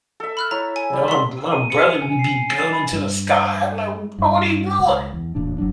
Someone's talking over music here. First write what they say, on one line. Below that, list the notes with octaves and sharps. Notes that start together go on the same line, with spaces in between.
You know, m my brother would be building in to the sky. I'd be like, "Bro, what are you doing?"
A4 E5
B5 F6 F#6
E4 C#5 A#5
G#5
G3
C6 B6
D#7
C#7
F7
G#5
C7
A6
B5
G2
G2
C#2
E2
D1 E2 A#2 D4
F#1 F#3 D4